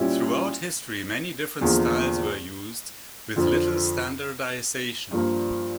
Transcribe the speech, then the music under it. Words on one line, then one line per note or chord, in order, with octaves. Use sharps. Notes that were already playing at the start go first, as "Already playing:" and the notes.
Throughout history, many different styles were used, with little standardization.
Already playing: A#2 G3 C#4 E4
E2 D3 F3 A#3
F2 D3 F3
G2 F3 A#3 D4